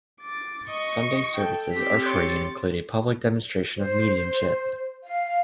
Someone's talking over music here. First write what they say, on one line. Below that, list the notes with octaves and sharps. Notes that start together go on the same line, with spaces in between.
Sunday services are free and include a public Demonstration of mediumship.
D6 A6
D#5 C#6
A4 G5
C4 G4 B6
C#5 C6 A6 C#7
C5
F5